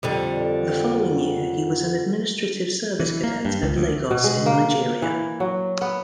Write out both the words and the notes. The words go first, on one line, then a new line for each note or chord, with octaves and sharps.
The following year he was an administrative service cadet at Lagos in Nigeria.
F2 D3 G3
E3
A#3
G2
C#2
D2
B2
G#3
A#3
E3
F#3
B3